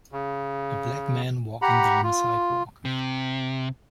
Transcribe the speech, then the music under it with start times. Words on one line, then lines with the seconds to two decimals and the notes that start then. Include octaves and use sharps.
A black man walking down a sidewalk.
0.12 C#3
1.62 G4 F#5 A#5 B5
2.03 F4
2.85 C3